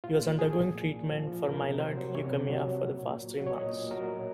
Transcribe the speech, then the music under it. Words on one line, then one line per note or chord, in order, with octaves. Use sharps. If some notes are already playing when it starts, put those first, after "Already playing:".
He was undergoing treatment for myeloid leukaemia for the past three months.
A#2 F4
A#2
F3 G#4
F3
A#2
A#2
F3
F3
C3 A#4
C3
F#3 C5
F#3
C3 C#5
C3
F#3
F#3
A#2
A#2
F#3
F#3
C#5
A#2 D#5
A#2
F#3 A#4
F#3